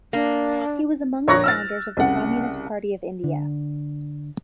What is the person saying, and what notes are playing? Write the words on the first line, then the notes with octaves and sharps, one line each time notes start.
He was among the founders of the Communist Party of India.
A#3 D4
A#1 C#5 A#5 C#6 F#6 A#6
E6 F6 A6
C2 C#3 F#5
D3